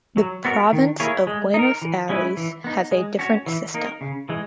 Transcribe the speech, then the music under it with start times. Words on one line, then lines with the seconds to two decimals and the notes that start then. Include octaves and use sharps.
The Province of Buenos Aires has a different system.
0.17 F#3
0.45 B3 F#4 A#4
0.73 D#3
1.00 A#3 E4 G#4 C#5
1.27 G#3
1.54 D#4 A#4
1.82 E3
2.09 G#3 C#4 E4 B4
2.37 E3
2.64 B3 D#4
2.91 G#3
3.19 C#4 F#4 C#5
3.47 E3
3.74 A#3 D#4 A#4
4.01 C#3
4.29 E3 G#3